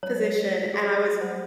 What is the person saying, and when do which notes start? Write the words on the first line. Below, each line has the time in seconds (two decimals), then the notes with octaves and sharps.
position, and I was
0.03 F#3 G#3 C#5
0.47 G#3 A3
0.74 G#4
1.21 F#3 G3 C5 F#5